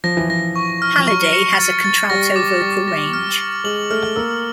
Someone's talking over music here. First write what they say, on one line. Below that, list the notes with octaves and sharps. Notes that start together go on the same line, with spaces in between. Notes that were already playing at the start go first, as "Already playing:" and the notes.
Halliday has a contralto vocal range.
F3 A#6
E3
F3 A#6
C#6
F6
F3
F#3 C#6
C#7
A6
A6
G3 A#6
D6
G3 A#6
A#6
F6
F#7
G#3 F#7
A3 F6
A#3 E6